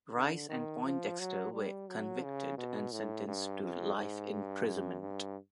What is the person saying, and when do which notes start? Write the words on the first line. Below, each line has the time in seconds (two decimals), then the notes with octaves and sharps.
Rice and Poindexter were convicted and sentenced to life imprisonment.
0.15 D3
0.49 D#3
0.84 F3
1.19 F#3
1.53 G3
1.88 F#3
2.23 C#3
2.58 B2
2.92 A2
3.27 G2
3.62 F2
3.96 G#2
4.31 G2
4.65 F#2
5.00 G2